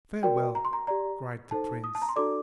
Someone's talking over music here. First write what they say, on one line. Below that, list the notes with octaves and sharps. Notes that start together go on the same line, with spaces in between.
"Farewell!" cried the Prince.
F#4 A#4 D5 G5
A#5
C6
A#5
G4 D5 A#5
D#4 A4 C5 A5
D#6
A5
A#5
C6
D4 F#4 A4 D5 D6